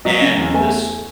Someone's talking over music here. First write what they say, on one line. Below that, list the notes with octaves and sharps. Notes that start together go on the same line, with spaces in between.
and this
F#3 D#5
C#3
E2
A3 G#5